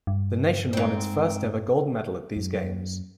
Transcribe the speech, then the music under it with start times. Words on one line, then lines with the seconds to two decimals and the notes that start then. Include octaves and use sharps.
The nation won its first ever gold medal at these Games.
0.07 G2
0.73 G#2 C4
2.36 F#2